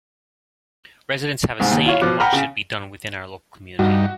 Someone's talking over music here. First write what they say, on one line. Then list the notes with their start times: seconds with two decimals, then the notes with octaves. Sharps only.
Residents have a say in what should be done within our local community.
1.60 C2 G#2
1.71 D#2
1.86 E4 F4 C#5
2.01 B2 F3 D6 F#6
2.20 F#5 G5 A#5 B5 F6
2.33 C#3
3.79 G2 G3 D#4 F#4